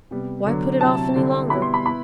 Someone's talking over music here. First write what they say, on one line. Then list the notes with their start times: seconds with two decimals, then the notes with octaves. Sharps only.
Why put it off any longer?
0.11 C3 G3 B3
0.46 D3 F#3 B3 D4
0.81 C3 F#3 C4 E4 A5
1.16 D3 G3 C4 E4
1.50 B2 G3 B3 E4 B5
1.62 C6
1.74 B5
1.86 B3 E4 B5